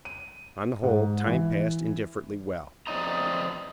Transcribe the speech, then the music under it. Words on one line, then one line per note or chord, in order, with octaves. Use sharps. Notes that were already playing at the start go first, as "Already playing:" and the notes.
On the whole, time passed indifferently well.
D#7
G#2
E3
F2 E3 D5 D#5 A#5